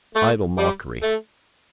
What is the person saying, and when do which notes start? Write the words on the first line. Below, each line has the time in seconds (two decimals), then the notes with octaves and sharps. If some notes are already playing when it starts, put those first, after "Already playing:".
Idle mockery.
0.14 A3
0.57 G3
1.01 A3